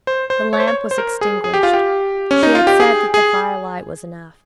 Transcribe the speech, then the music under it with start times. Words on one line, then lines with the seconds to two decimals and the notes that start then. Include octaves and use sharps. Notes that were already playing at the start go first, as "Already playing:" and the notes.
The lamp was extinguished; she had said that the firelight was enough.
0.07 C5
0.30 C5
0.53 C#5
0.60 C5
0.68 C#5
0.91 C5
0.98 A#4
1.21 G#4
1.44 G#4
1.54 G4
1.63 F4
1.73 G4
2.31 C#4
2.43 D#4
2.55 F4
2.67 G4
2.80 G#4
3.14 G#4